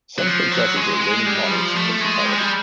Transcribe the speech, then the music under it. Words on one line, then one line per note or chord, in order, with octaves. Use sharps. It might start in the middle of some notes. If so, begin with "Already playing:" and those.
Some princesses are reigning monarchs of principalities.
F#3
F3
F#3
G#3
G#3
G3
F3
A3
G#3
G3
G#3
G3